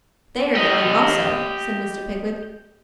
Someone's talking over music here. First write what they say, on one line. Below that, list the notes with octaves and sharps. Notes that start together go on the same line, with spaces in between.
'They are going also,' said Mr. Pickwick.
G4 D#5